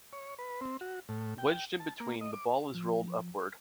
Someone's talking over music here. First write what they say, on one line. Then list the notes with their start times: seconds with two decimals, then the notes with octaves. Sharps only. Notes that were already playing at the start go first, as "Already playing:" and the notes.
Wedged in between, the ball is rolled upward.
0.13 C#5
0.39 B4
0.61 C4
0.81 F#4
1.09 A2
1.38 G5
1.80 A5
2.00 A#3
2.21 D#5
2.33 D6
2.75 F3